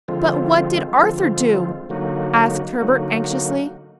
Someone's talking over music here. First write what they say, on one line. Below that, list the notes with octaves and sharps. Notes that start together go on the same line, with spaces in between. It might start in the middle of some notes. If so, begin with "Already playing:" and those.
"But what did Arthur do?" asked Herbert anxiously.
D3 F3 G#3 C4 F4
D3 F3 G#3 C4 F4
D3 F#3 A#3 D#4 F#4
D3 F#3 A#3 D#4 F#4